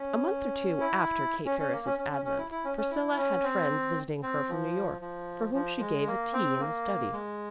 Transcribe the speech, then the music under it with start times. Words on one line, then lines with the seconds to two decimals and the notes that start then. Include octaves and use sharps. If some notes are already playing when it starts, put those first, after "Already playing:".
A month or two after Kate Ferris's advent, Priscilla had friends visiting her from New York, for whom she gave a tea in the study.
Already playing: C#4
0.80 E4
1.46 C#4
1.59 C#4
1.72 A#3
1.86 C#4
1.98 C#4
2.12 C#4
2.25 C#4
2.38 E4
2.51 E4
2.65 C#4
2.77 C#4
2.91 E4
3.17 C#4
3.44 C4
4.23 C4
4.49 F3
5.01 F3
5.54 F3
5.81 G#3
6.07 A#3
6.33 C4
6.60 A#3
7.12 G#3